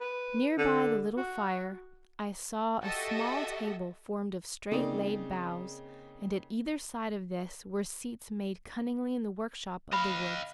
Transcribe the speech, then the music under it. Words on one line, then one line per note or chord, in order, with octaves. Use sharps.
Near by the little fire I saw a small table formed of straight-laid boughs, and at either side of this were seats made cunningly in the workshop of the woods.
B4
D3
F#4
F#4 G4 A4 D#5 E5
C#3 A#3 C4 D#4 D5
D#5 F5 B5